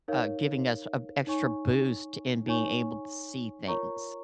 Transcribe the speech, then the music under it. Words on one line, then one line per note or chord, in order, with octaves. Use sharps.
uh, giving us a extra boost in being able to see things.
D#4 A#4 C#5 F5
D#4 C#5 G#5 C#6
D#4 C#5 G#5 C#6
F4 A#4 C#5 A#5 C#6